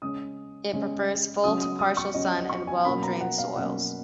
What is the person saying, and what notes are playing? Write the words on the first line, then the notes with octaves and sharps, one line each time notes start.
It prefers full to partial sun and well drained soils.
C#3 G#3 C#4 D#6
C#3 G#3 C#4
C#3 F#3 C#4 D#6
D#6
D#6
C#6
C#3 F#3 C#4 D#5
C#6
G#5
B2 F#3 A#3 C#4 B5
A#5
F#5
F5
B2 F#3 A#3 C#4 F#5